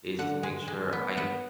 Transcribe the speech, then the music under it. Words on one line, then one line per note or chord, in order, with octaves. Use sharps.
is to make sure I
D3 F#5
G#3
G#3
B3
B3 F#5